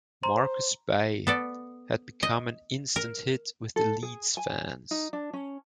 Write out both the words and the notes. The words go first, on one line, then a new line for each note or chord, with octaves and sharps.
Marcus Bai had become an instant hit with the Leeds fans.
C5 A#5 C6
B3 A4 D5
D#5
A#4
A4
G#4
G#5
D#4
D4
C#4